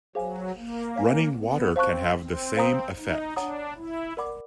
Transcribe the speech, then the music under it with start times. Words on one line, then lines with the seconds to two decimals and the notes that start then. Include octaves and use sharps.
Running water can have the same effect.
0.15 F#3 G#4 C5 F5 G#5
0.56 A#3
0.96 C#5 F5 G#5
1.36 B3
1.76 C4 C5 F5 A5 C#6 F#6
2.16 C4
2.56 C5 F5 A#5 D#6
2.97 D#4
3.36 D4 C#5 F#5 A#5 D#6
3.77 E4
4.17 A#4 D5 F#5 B5 D6